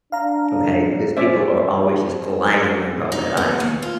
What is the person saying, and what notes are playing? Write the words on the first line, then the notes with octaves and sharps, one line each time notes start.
okay, because people are always just gliding right across that ice.
D4 F5 A#5
C#4 C5 D5 E5
D#4
B3
D#2
F4